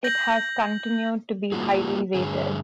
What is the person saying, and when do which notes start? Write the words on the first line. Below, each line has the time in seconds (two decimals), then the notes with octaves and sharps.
It has continued to be highly rated.
0.04 G6 A#6 F#7
1.52 G3 A#3 C#4 F4 F#4 G#4
2.15 G2 D3 G#4